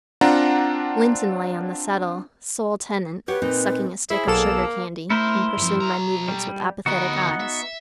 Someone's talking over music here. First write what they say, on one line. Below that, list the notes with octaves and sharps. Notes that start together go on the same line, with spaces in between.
Linton lay on the settle, sole tenant, sucking a stick of sugar-candy, and pursuing my movements with apathetic eyes.
C4 D4 F4 F#5 A#5
G4 B4 C#5 F#5
A#2 C4 D#4
E4 G#4 C5
B1 A#3 A4 E7
A3 E4 A#4 C5
G2 F3
B1 A#5
G3
D2 B3 D#4 F#4 A#4
E5